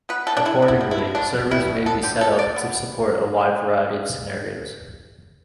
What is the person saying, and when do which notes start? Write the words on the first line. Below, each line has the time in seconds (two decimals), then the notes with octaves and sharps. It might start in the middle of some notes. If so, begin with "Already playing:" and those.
Accordingly, servers may be set up to support a wide variety of scenarios.
0.09 B3 B4
0.27 E3 A4
0.37 D4
0.45 D3 E4
0.62 B3
0.68 E4
0.81 G3
0.91 E4
0.98 D3
1.15 B2 D4
1.33 B3
1.51 G3 E4
1.68 B2
1.86 B3 A4
2.03 D3 G4
2.21 B3 A4
2.39 D3 D5
2.56 B3